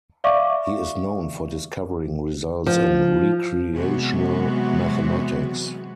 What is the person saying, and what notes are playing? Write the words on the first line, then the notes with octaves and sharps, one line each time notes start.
He is known for discovering results in recreational mathematics.
D5 E5 F5 C#6 D6
F3
C3 E3 F#3 G#3 B3 F#4